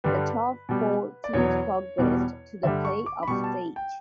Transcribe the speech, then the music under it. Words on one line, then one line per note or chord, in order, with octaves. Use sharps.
The top four teams progressed to the playoff stage.
G2 D3 G3 B4
B2 G3
D5
E2 B2 F#3 C#5
E2 B2 G3
G2 D3 G3 E5
C#6
D6
B5
B2 G3 C#6
A5
G5